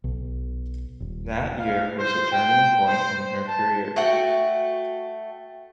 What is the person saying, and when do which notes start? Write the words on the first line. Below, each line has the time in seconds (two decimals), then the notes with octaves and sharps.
That year was a turning point in her career.
0.04 B1
1.00 D#1
1.59 F5
1.96 C5
2.32 G5
2.85 C5
3.18 C5
3.47 A5
3.96 A3 F#4 F#5 G5